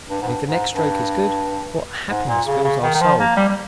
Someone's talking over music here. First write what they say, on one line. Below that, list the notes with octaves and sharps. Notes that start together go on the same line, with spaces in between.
And if the next stroke is good, what happiness fills our soul.
G2
G#2
G2
G#2
G2
G#2
A#2
C#3
C#3
D#3
D#3
F3
A#3
G3
G3